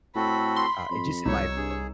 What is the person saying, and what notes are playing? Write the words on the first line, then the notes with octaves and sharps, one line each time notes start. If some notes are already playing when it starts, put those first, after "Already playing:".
uh, just in my opinion,
A2 C4 F#4 A4 B5
C6
F2 B5
C2 D#4 C#5 E6
G2 G#4